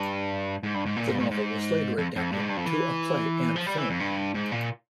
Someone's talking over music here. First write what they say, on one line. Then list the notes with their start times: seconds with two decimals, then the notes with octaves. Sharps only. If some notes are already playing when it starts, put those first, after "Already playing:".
The novel was later adapted to a play and film.
Already playing: G2
0.63 G#2
0.74 G2
0.86 G#2
0.96 A#2
1.08 G#2
1.15 G2
1.19 G#2
1.31 G#2
1.98 F2
2.16 F2
2.32 G2
2.40 G#2
2.49 G2
2.57 F2
2.65 E3
3.56 F3
3.66 G3
3.78 E3
3.90 F2
4.00 G2
4.34 G#2
4.52 A#2